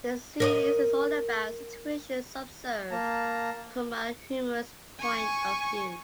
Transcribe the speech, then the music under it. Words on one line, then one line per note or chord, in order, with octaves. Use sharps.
The series is all about situations observed from a humorous point of view.
A#4 C#5 D#5
A#3 A5 A#5
G#5 C#6